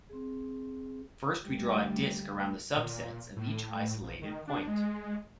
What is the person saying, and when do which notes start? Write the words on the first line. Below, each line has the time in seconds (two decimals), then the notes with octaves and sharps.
First, we draw a disc around the subsets of each isolated point.
0.09 C4 G#4
1.43 D2 G3
2.77 A#2
3.36 A2
4.01 A#1
4.22 D#3
4.48 D4
4.67 G#3